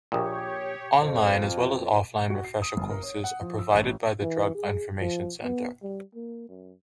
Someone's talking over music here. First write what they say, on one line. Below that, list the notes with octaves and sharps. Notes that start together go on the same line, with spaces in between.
Online as well as offline refresher courses are provided by the Drug Information Center.
A#1 A#2 G4 C#5 G5 D#6
F2
F#4
C7
D#6
G1
A#4
C#5
F#5
F3
E6
A1
E3
G#4
F3
B3
G3
A#3
F#2